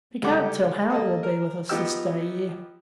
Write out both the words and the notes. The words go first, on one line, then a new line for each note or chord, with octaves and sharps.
We can't tell how it will be with us this day year.'
C#2 D3 G3 G4 F#5 D6
A#3 A4 D#5
A#4
F3 B3 D#4 G4 G5 E6